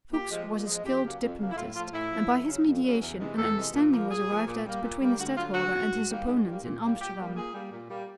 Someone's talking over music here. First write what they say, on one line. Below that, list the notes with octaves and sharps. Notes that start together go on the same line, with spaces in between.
Fuchs was a skilled diplomatist, and by his mediation an understanding was arrived at between the stadholder and his opponents in Amsterdam.
A#2 G4
F3 G#3
A#2
F3 G#3
F2 G4
C#3 F#3 A#3
F2
C#3 F#3 A#3
E4
A2 F4
F3 A3 F4
A2 E4
F3 A3
F2
C#3 F#3
F2
C#3 F#3
E2
C3 E3 G#3
E2 A4
C3 E3 G#3
A#2
F3 A#3
A#2 G#4
F3 A#3
A#2
G3 A#3
A#2
G3 A#3
D2 F#4
D3 F#3 F4
D2 F#4
D3 F#3
G#2
D#3 G3 A#3
G#2
D#3 G3 A#3
A#2
G3 A#3
A#2 G4
G3 A#3
A#2 G#4
G3 A#3
A#2
G3 A#3